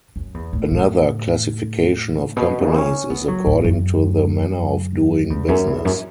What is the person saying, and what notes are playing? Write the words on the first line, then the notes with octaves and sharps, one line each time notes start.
Another classification of companies is according to the manner of doing business.
F#2
E2
A2
A2
B2
C#4
B3
F#3
A2
F#2
E2
F#2
E2
F#2